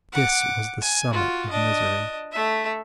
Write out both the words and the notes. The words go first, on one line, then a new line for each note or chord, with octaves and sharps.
This was the summit of misery.
F#5 D6
G#5
F4 F#4
D4 D#5
A3 E5